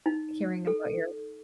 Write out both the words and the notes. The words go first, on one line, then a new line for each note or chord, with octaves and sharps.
hearing about your
D#4
A4